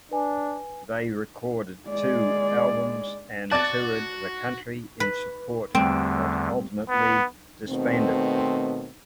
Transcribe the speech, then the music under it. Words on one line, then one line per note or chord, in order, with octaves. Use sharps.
They recorded two albums and toured the country in support but ultimately disbanded.
D4 B4 G#5
G#3 D5
F#4 D5 A5 F#6 A6
B4
E2 D3 G3 A3 C4
B3
B2 D#3 A3 C4